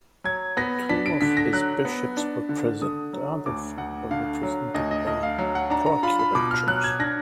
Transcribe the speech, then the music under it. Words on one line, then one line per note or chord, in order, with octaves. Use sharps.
Two of his bishops were present, the other four were represented by procurators.
F#3 G#6
B3 A#6
D4 B6
D7
D3 B6
A#6
F#3 F#6
B3
D4
D3
D3 D#6
F#3
D2 D6
D2 F#5
D3 F5
F#3
D2 D#5
D#5
D2 D#5
F5
F#3
F#5
D4 A#5
A#5
F4 B5
B5
B2 D6
F6
F#3 F#6
G#6
D4 A#6